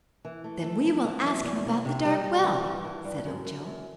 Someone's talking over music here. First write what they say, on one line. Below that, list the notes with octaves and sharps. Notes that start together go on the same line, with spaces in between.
"Then we will ask him about the dark well," said Ojo.
E3
A3
A3
A3
E3
F#2
E2
C3
C3
G3
G3
E3
G2
E3
G2
F#2
F#2
F#2